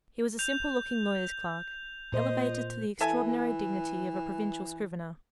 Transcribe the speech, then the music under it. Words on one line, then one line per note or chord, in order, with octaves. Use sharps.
He was a simple-looking lawyer's clerk, elevated to the extraordinary dignity of a provincial scrivener.
G6 F7
A#2 C5 D#5
E3 A4 E5 G#5